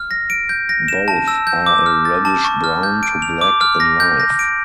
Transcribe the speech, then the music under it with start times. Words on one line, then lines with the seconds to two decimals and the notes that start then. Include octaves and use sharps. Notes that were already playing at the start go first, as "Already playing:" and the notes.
Both are a reddish brown to black in life.
Already playing: F6
0.11 A#6
0.30 D7
0.49 G6
0.69 A#6
0.88 E7
1.08 A5
1.28 E6
1.47 G6
1.66 D6
1.86 F6
2.05 A6
2.25 A5
2.45 C#6
2.64 F6
2.83 G6
3.03 D7
3.22 F7
3.41 D6
3.61 F6
3.80 A#6
4.00 G6
4.20 A#6
4.39 D7